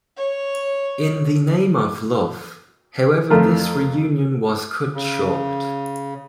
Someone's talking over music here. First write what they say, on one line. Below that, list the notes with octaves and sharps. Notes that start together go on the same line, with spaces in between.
In the Name of Love, however this reunion was cut short.
C#5
F2 A3 F4 A#4
C#3